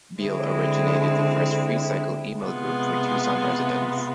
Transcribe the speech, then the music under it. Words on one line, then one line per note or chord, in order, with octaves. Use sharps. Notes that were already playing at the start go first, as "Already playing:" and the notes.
Beal originated the first Freecycle email group for Tucson residents.
D3 G#3 C4 E4
C3 G#3 B3 F4